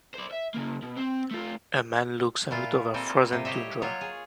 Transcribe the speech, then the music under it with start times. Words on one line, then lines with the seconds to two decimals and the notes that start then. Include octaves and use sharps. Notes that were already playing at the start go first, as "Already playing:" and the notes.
A man looks out over frozen tundra.
0.14 C5 D5
0.31 E5
0.54 C#3 A#3
0.83 B2
0.97 C4
1.31 A3 F4
2.51 A#2 E4 F4
2.94 G3 A#3 C4 A4 G5 G#5
3.33 C3
3.45 G4 C5 C#5 D#5 E5
3.82 F#3 F4 C#5
4.01 G#4